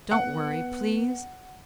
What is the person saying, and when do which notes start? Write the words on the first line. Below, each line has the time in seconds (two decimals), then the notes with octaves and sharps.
Don't worry, please.
0.11 B3 F#5